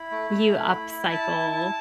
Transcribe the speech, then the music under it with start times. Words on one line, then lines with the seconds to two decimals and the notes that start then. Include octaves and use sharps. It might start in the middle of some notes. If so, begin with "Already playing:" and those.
you upcycle
Already playing: E4 B5
0.11 A3
0.31 A3
0.51 E4
0.71 E4
0.91 E4
1.11 E4 A5
1.32 E4
1.52 E4